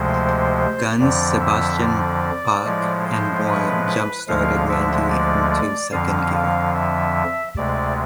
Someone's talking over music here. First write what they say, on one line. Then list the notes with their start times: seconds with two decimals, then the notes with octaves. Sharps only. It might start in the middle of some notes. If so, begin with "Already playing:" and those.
Guns, Sebastian Bach, and more, jump started Randy into second gear.
Already playing: D2 C3 F3 G#3 C5
0.99 F2 D3 F3 D5
1.41 E5
1.81 D5
2.64 A2 F3 G#3
3.05 C5
3.46 B4
4.28 D2 D3 F3 G#3 F5
4.69 E5
5.10 D5
5.51 D5
5.92 F2 D3 F3 F5
6.34 F5
6.75 E5
7.57 D2 C3 G#3 D5